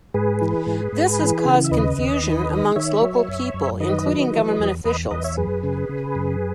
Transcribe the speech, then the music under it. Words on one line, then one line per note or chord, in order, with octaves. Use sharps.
This has caused confusion amongst local people, including government officials.
G#2 G#4 B4
E3
G#2
G#2
E3
C#3
E5
D#2 B4 D#5
D#2
D#3
D#3
D#3 C#5 E5
F#3
F#2
F#2
D#3 B4 D#5
F#3
E3
E2
E2 B4 D#5
E2 B4 D#5
C#5 E5
F#2 G#4 B4
C#3
C#3
F#2